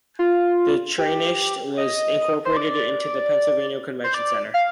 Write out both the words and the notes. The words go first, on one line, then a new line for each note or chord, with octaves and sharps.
The trainshed was incorporated into the Pennsylvania Convention Center.
F4
G4
D#5
C5
D5
C5
D5
F5